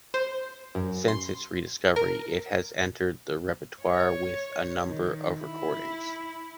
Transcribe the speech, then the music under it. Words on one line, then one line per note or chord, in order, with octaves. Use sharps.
Since its rediscovery, it has entered the repertoire with a number of recordings.
C5
F#2
C6
A#4
C#5
D#3
E4